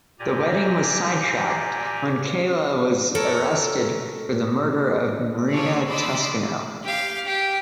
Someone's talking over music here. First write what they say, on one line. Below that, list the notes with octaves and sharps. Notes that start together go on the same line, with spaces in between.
The wedding was sidetracked when Kayla was arrested for the murder of Marina Toscano.
A#2 G4 D5 G#5 A#5
A4 A#4 C#5
F4 G#4 A4 C#5 D5
D5 D#5 B5 C6 D6 E6
G4 F5
G4